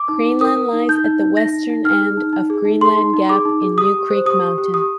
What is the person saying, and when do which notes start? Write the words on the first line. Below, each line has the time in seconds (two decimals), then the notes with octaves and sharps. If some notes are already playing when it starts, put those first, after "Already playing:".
Greenland lies at the western end of Greenland Gap in New Creek Mountain.
Already playing: D6
0.09 D#4
0.25 D#4
0.41 A#4 D#6
0.57 A#4
0.73 D#4
0.89 D#4 G6
1.05 D#4
1.20 D#4
1.37 D#4 A#6
1.53 D#4
1.70 D#4
1.85 D#4 F6
2.01 G#4
2.17 D#4
2.33 D#4
2.50 G#4
2.65 D#4
2.81 G#4 C6
2.98 D#4
3.14 D#4
3.29 G#4 D6
3.45 D#4
3.62 G#4
3.78 G4 D#6
3.94 G4
4.10 C5
4.26 G4 D#6
4.42 G4
4.58 G4
4.74 G4 D#6